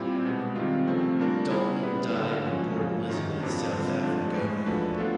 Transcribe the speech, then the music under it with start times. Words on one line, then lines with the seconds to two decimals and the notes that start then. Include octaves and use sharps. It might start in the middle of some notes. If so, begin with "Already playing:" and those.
Dalton died in Port Elizabeth, South Africa.
Already playing: A#2 G3 C4 E4 G4
0.25 B2 G#3 B3
0.55 C3 D#3 G3 C4 F4
0.87 C#3 F3 A3 C4
1.19 G3 A#3 D4 F4 A#4
1.51 G3 B3 E4 G#4
1.82 G3 B3 E4 G#4 B4
2.13 D3 F#3 A#3
2.46 F3 G#3 C#4 F#4
2.77 F#2 C#3 F3
3.09 F#2 D#3 F#3
3.40 F2 C3 F3 A#3 D4
3.71 D3 G3 C4 F4
4.03 G#2 F3 A3 D4
4.34 A2 E3 G#3
4.66 F3 A3 D4 F#4 B4
4.98 F#3 B3 D4 F4 A4